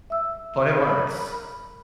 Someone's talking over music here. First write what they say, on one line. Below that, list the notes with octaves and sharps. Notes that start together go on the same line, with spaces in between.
but it works.
E5 E6
A#4 B5